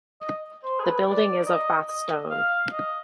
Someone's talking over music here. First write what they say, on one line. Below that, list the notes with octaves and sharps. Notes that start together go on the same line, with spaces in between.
The building is of Bath Stone.
D#5
C5
G#4
B4
D5
D#5
D#5
F5
D#5